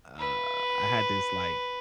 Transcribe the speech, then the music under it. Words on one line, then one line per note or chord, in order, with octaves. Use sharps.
uh, I had this like
B4